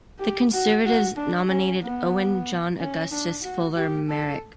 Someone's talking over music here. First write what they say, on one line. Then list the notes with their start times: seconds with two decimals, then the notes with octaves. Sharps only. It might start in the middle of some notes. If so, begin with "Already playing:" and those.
The Conservatives nominated Owen John Augustus Fuller Meyrick.
0.19 G4
0.52 F#4
0.84 F#4
1.16 D4
1.48 C#4
1.81 B3
2.79 C#4
3.12 D4
3.43 F#4
3.76 G4
4.09 A4